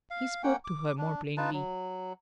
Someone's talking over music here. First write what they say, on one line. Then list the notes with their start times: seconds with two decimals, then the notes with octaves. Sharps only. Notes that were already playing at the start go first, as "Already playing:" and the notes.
He spoke to her more plainly.
0.11 F5
0.43 A#3 C#4 F#5 G5
0.65 D6
0.98 D4
1.37 D#4 F4 B4 A5
1.53 F#3